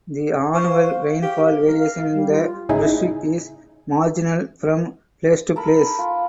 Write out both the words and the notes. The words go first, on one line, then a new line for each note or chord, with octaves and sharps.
The annual rainfall variation in the district is marginal from place to place.
C5 C#6
F5
G4 F5
A#4
F5
G3
F4
G1 A2 C#3 D#4 E4 G#4
A4 A#4 B5
F4